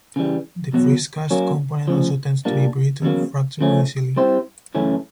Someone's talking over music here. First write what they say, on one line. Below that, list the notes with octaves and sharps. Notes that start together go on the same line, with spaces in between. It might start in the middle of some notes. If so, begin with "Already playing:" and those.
The freeze-cast component also tends to be brittle, fracturing easily.
C#3 E3 G3
E2 B2 F#3
F#3 A#3 C#4
D2 C#3 F3
A#2 G3 A#3 D4
E2 C#3 F#3 A#3
C#3 F3 A3 C#4
G3 C4 E4 G4 C5
F#2 C#3 E3 A3 C#4